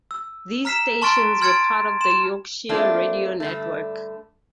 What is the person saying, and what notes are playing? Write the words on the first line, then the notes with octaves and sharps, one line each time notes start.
These stations were part of the Yorkshire Radio Network.
E6
A#5 F6 B6 C7 E7
A5 C6 C#6 F6 A6 D7
C6 F6 G#6 A6 C#7 D7
C6 E7
A3 A#3 C4 D4 E4 F4
G2 D3 A3